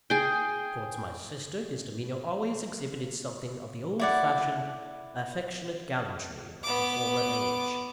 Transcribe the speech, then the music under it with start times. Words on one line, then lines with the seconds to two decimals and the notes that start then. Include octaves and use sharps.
Towards my sister, his demeanour always exhibited something of the old-fashioned, affectionate gallantry of a former age.
0.10 G#4 G5
4.00 E4 D5 F#5
6.63 B3 D6